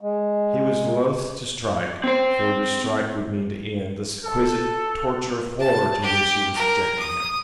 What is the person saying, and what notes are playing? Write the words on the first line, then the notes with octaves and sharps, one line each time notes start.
He was loth to strike, for to strike would mean to end this exquisite torture of horror to which he was subjecting him.
G#3
C4 C5
A4
A5
G4
A#4
D#6